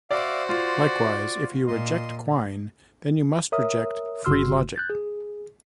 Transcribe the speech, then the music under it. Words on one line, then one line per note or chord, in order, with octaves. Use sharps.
Likewise, if you reject Quine then you must reject free logic.
F#4 C5 D5 E5 F5 D6
F4 D5
A#2 D#5 C6
A#4 C#5 E5 D#6
G1 C#3 F#4 C6 E6 F6
F#6 G6 A6
G#4